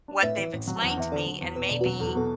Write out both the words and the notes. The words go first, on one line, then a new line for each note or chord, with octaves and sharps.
what they've explained to me, and maybe,
D4
A2 B4 E5
E3
A1
F#3
A5
E2
F#5
E2 E5
D3 A4 D5
F#3
E2
B2 B4
E1 D5
F#4 B4
F#3
E2 A4
F#4
B2 A4